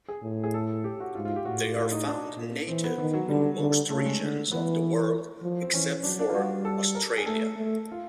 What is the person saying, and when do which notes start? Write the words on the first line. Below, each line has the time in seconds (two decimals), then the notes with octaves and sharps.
They are found native in most regions of the world except for Australia.
0.08 G#4
0.23 A2
0.44 G#4
0.54 A4
0.84 G4
1.00 F#4
1.15 G#2 F4
1.25 F4
1.36 G4
1.45 A2 F#4
1.61 F4
1.76 F4
1.91 D#4
2.07 D4
2.37 A#2
2.68 E3 C4
2.84 B3
2.98 D#3 B3
3.14 F#3
3.28 D3 G3
3.59 D3
3.90 C#3 A3
4.06 G#3
4.21 D3
4.51 E3 B3
5.42 F3
5.62 C4
5.73 E3 C#4
6.03 F#3 D4
6.19 D4
6.29 F4
6.34 G3 F#4
6.65 A4
6.95 A#4
7.18 G#4
7.26 A3 A4
7.56 A3
7.92 F4